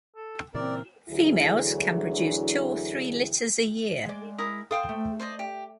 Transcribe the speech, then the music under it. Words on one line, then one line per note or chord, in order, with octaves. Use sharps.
Females can produce two or three litters a year.
A4
A#2 C#3 E3 C4 A#4 D5
D2 D3 E3 F#3 E4 G#4
G#3 D5
E4 A#4 D#6
A4 C5 F5 G5 D#6
A3
C5 D5 D#5
G4